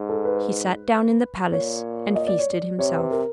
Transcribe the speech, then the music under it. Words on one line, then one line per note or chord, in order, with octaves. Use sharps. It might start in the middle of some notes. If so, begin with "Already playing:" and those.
He sat down in the palace and feasted himself.
Already playing: G#2
A4
B4
A#2 C#5
D#5
D5
C#5
D5
C3 C#5
B4
A#4